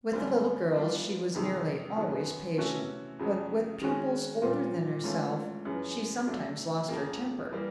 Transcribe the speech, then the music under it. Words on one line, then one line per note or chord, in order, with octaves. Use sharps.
With the little girls she was nearly always patient, but with pupils older than herself, she sometimes lost her temper.
F#2 D3 G3 C4
E3 G3 B3 D4 F4
F2 C3 D#3 G#3
F#2 D#3 F#3 B3
C3 E3 A3 C#4 F#4
F2 C#3 F#3
D#3 G#3 C#4 F#4
A#2 G3 C4 F4
G#2 E3 A3 C#4 F4
F#2 C#3 E3
F#3 A3 D4
F2 C#3 F3 A#3
E3 G3 A#3